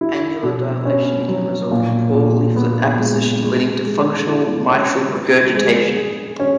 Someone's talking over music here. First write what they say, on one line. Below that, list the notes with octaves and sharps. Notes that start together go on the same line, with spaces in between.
Annular dilatation can result in poor leaflet apposition, leading to functional mitral regurgitation.
E4
B2
C#4
F#3
A#2
A#2
B3
G#3
G#3
G#3
E4
C#4
B4
G#3
G#4
C#4